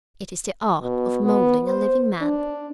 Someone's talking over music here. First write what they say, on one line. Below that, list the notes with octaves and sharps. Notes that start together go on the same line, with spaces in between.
It is the art of moulding a living man.
B2
B3
C5
D4